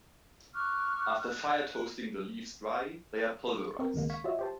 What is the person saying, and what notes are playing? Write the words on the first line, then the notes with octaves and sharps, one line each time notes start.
After fire-toasting the leaves dry, they are pulverized.
C#6 D6 F6 F#6
F#6
C4 A#4
C#2 D#3 G#3 A#3
F5 C#6 G#6 B6
F4 F#4 C#5 D#5 E5
G4 C5 A5